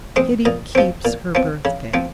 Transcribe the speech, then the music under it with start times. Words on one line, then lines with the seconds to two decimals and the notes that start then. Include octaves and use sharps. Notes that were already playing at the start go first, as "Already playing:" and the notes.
Kitty Keeps Her Birthday.
0.16 G#3 C4 D#5
0.45 A#2 D#5
0.75 F3 C4
1.05 A#2
1.35 F3 C4
1.65 C#3
1.94 F3 C4